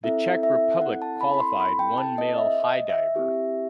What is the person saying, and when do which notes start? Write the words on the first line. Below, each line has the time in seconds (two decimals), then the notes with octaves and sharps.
The Czech Republic qualified one male high diver.
0.04 C4 E4 A4 E5
0.43 E5
0.81 F#5
1.02 A5
1.21 B5
1.34 B5
1.40 C6
1.60 B5
1.79 G5
1.98 A5
2.18 D#5
2.38 E5
2.63 D#5
2.89 E5
3.16 C4 E4 G4